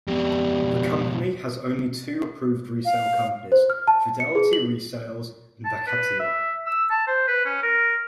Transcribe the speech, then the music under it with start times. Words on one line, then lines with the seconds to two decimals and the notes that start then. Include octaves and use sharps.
The company has only two approved resale companies, Fidelity Resales and Vacatia.
0.08 F2 B2 G3
2.85 F5
3.52 C5
3.70 F6
3.88 A5
4.20 C#7
4.35 G#4
4.53 F#7
5.65 A5
5.87 B4
6.20 E5
6.66 E6
6.90 A5
7.07 C5
7.28 B4
7.45 C#4
7.63 A#4